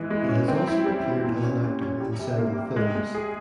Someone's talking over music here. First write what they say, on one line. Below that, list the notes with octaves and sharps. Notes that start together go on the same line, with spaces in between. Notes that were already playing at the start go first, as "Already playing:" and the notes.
He has also appeared as an actor in several films.
Already playing: E3 G#3
G#3
C#4
C4
E4
G3
G3
A#2
C#4
C#4
C#4
G3
C3
A#3
G3
G#3
G#3
G#4